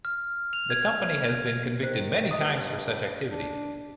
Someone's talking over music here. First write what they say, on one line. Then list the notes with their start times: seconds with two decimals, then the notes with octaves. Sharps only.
The company has been convicted many times for such activities.
0.05 F6
0.53 F7
0.70 G#6
1.83 D#3 C5
2.31 G2 D#5 D#6
3.29 D4